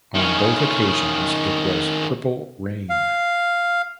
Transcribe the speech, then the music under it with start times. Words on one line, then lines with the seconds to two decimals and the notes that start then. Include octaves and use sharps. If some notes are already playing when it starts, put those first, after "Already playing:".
On both occasions it was "Purple Rain".
0.14 D#3 C#4
2.90 F5